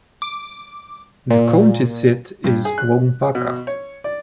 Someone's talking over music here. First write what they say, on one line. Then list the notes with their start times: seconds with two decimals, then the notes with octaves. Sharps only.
The county seat is Waupaca.
0.22 D6
1.30 A#2
2.44 G2
2.65 G#4
2.78 F#6
3.35 B2
3.67 C#5
4.04 D5